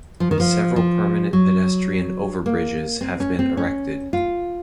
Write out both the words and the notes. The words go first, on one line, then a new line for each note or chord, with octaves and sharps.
Several permanent pedestrian overbridges have been erected.
F3
D#3
F3
F3
F#3
A#3
C4
C#4
C4
C#4
F4